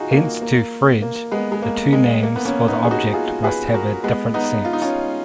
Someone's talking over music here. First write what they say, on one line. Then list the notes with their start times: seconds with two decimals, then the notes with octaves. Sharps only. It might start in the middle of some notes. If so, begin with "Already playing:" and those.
Hence to Frege the two names for the object must have a different sense.
Already playing: D#4 F4 F#4 G#4
0.11 A#3
0.41 A#3
1.02 A#3
1.31 G#3 B3
1.52 G#3
1.62 A#3
1.93 G#3
2.23 A#3
2.36 B3
2.45 A#3 C#4
2.68 B3 D#4
2.85 G#4
2.91 D#4 F#4
3.13 F4 G#4
3.44 G#4 B4
3.74 F#4 A#4
4.04 G#3 B3
4.34 B3 D#4
4.65 F4
4.73 D#4
4.81 C#4 F4